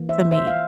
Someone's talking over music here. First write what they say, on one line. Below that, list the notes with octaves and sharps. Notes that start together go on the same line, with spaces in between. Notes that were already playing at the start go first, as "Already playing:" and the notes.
to me.
Already playing: E3 A#3
C5 E5
C5 E5
F5